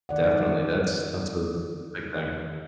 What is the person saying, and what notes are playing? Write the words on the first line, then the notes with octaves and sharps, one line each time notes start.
Definitely, that's that's a that's a big thing.
D#3 D5 F#5